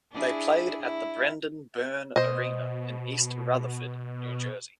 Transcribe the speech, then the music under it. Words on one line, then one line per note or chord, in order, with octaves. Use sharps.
They played at the Brendan Byrne Arena in East Rutherford, New Jersey.
D4 E4 G#4
E4
B2 C5 D#5